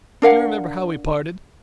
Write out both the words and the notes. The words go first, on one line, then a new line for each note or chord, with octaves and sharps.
Do you remember how we parted?
D4 A#4 F5 F#5